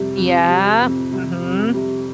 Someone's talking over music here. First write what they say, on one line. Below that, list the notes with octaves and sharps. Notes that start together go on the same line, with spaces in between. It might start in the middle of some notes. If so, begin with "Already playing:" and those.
Yeah. Mhm.
Already playing: F2 C3 G3
F2
C3 G3
F2
C3 G3
F2
C3 G3